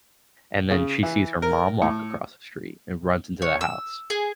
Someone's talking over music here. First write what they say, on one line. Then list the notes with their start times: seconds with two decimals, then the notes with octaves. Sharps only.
and then she sees her mom walk across the street and runs into the house.
0.71 C#3
1.03 E3
1.42 A#4
1.82 A2
3.42 C#5
3.61 E6
4.10 G#4